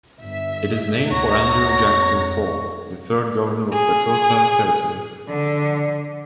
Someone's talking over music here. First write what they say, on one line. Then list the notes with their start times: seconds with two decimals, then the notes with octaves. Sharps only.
It is named for Andrew Jackson Faulk, the third Governor of Dakota Territory.
0.20 G1 E5
1.11 D2 C#5 F#5 A#5 A#6
1.90 F2
3.73 G#4
5.29 D3